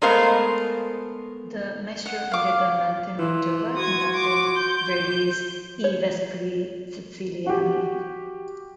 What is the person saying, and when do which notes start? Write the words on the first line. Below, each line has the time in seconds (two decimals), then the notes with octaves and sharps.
The Maestro ended the month in Mantova conducting Verdi's "I vespri Siciliani".
0.02 G#3 A3 B3 A#4 C5 F5
2.06 F#5
2.31 F5 D6
3.19 E3 C6
3.77 F#4 D#6 G#6
4.14 D6
4.58 G6
5.84 C#5
7.46 F#4 G4